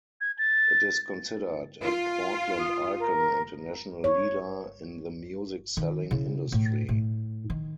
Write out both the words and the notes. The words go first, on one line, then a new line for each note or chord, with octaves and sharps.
It is considered a Portland icon and a "national leader in the music-selling industry".
G#6
A6
F4
D#6
A#4
C#5
D#3
C#3 E4
A2
A2
D#3